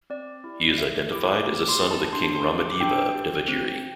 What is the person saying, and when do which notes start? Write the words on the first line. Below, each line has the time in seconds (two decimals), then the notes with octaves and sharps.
He is identified as a son of the king Ramadeva of Devagiri.
0.10 C4 D5
0.44 E4 G4
0.78 A3 E5
1.12 E4 G4 D6
1.45 A3 D6
1.69 C6
1.79 E4 G4
1.91 A5
2.13 D4 C6
2.35 C6
2.46 G4
2.58 D6
2.80 D4 G5
3.15 G4
3.48 C4